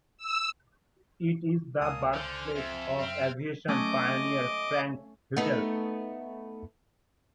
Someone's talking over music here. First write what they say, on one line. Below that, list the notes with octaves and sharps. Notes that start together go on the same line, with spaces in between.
It is the birthplace of aviation pioneer Frank Whittle.
E6
C#2 A#3 G#5 A5 D#6
D3 C5 F6 G6
F2 E5
F#2 C4 F6
A3 C#4 D#5 D6
A3 B3 D#4